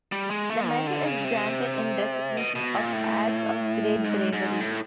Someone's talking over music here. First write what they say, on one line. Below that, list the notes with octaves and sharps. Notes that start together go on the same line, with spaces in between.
The medal is granted in recognition of "acts of great bravery".
G3
G#3
A3
D#3
D3
C#3
C3
B2
B2
A#2
A2
G#2
G#2
A2